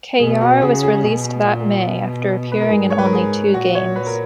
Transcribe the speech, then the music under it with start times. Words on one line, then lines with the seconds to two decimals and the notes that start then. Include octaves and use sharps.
Cuellar was released that May after appearing in only two games.
0.20 B2 G#4
0.41 F#4
0.62 C#3 G#4
0.83 G#4
1.03 B2
1.45 A#2
1.87 B2
2.52 B4
2.61 A#4
2.71 G#2 G#4
2.90 C#5
2.98 B4
3.05 A#4
3.13 G#4
3.54 A#2 F#4
3.75 C#5
3.96 B4
4.07 A#4